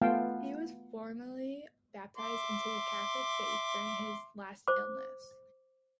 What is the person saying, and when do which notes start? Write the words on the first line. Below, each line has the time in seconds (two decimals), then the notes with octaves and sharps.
He was formally baptized into the Catholic faith during his last illness.
0.02 A3 B3 F4 F5 G5 A5
2.17 E5 C6 D6
4.68 C5 D6